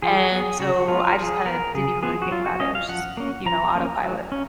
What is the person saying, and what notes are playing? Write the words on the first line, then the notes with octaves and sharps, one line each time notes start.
And so I just kinda didn't even really think about it. I was just, you know, autopilot.
F3 G#4
B3 G#4
C#3 F#4
G#3 B3 F4
A#4
F3 G#4
B3 A#4
C#3 G#4
F3 B3 G#4
F#4
F#3 F4
F#4
C#4 D#5
F5
F3 F#5
A#3 C#4
F3 A#5
A#3 C#4
F#3
C#4